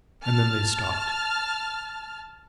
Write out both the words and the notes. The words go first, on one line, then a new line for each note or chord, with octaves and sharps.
And then they stopped.
A5 F6